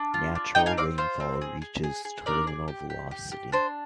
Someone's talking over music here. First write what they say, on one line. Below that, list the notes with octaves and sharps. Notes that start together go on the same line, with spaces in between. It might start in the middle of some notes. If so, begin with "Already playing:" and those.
Natural rainfall reaches terminal velocity.
Already playing: D4
F4
D4
D#4 D#5 G5
F5 G#5
C4 D5 F5
F4 C5
C4
G#4
G#4
G#4
G#4
D4 A#4 D5
G#4
G4
G4
G4
G4
D4 C5